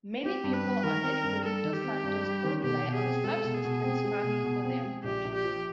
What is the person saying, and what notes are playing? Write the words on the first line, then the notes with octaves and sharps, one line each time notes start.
Many people on Espiritu Santo still rely on subsistence farming for their food.
C4 G4
G2
B4
G3
D#3 A#4
C4
G2
G3 A4
D#3
G4
C4
G2
G3
D#3
B2 G4
B2
G#4
C4
G#3 A4
B2
G#4
B2
C4
G#3
B2
B2
C4
G#3
A#1 G4
A#1
G4
F3